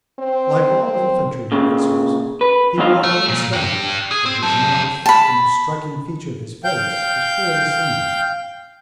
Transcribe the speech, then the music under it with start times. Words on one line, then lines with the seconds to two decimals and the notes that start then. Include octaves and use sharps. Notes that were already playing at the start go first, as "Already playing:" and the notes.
Like all infantry officers he wore no mustache, so that his mouth, the most striking feature of his face, was clearly seen.
0.19 C4
0.82 C4
1.52 A#2 C#3
2.41 B4
2.78 E2 G2 A#2 D#4 C5 F5
3.03 A3
3.28 A#2
3.53 D4 G5
4.11 G#4
4.25 C4
4.43 G4 A5
5.06 A5 B5
6.64 F5 G5 G6